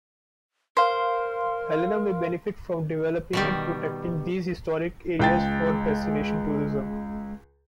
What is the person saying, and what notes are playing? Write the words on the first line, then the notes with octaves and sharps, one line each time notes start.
Helena may benefit from developing and protecting these historic areas for destination tourism.
A#4 C5 F5 C6
B2 D#3 G3
C#2 G#3 G5 A6